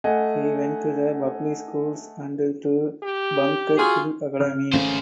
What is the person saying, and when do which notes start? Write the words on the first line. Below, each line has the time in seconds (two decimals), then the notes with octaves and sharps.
He went to the public schools and to Bunker Hill Academy.
0.04 A3 D#5 F#5 G#5
3.03 G4
3.77 F4 F#4 G#4
4.39 C#3 F6
4.73 G#1 C#3 A3 C#4 C5 F5